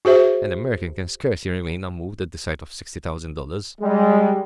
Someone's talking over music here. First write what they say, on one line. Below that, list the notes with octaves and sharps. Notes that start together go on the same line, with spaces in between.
An American can scarcely remain unmoved at the sight of sixty thousand dollars.
F#4 G#4 C5 E5
G3 G#3